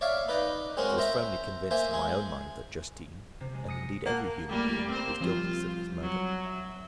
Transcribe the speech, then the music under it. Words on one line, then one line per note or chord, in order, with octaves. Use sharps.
I was firmly convinced in my own mind that Justine, and indeed every human being, was guiltless of this murder.
C#5 D5 E5 F5
D#4 B4 D5 D#5
G#3 C4 C#4 F#4 A#4
C5 E5 A#5
A#3 C5 E5 G#5
G#3 G#4
C3
G#3
D#6 A#6 C#7
A#3 F#5 A5
G3 A3 A#3
C4 A#4 C5 D6
F3 G3 C4 F4
F#3
E5